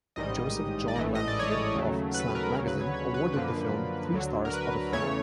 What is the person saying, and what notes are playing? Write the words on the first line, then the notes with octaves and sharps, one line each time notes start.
Joseph Jon Lanthier of "Slant Magazine" awarded the film three stars out of four.
A1 G#2 D#3 G3 D#5
D5
A1 G#2 E3 A3 D#5
D#5
D5
C#5
D5
D#2 C#3 F#3 A3
B4
A#4
D2 C#3 F#3 A#4
B4
C#5
C#5
B4
F#2 D3 F3 A#3 B4
D2 D3 F#3
A#4
B4
E2 C#3 E3 A3 C#5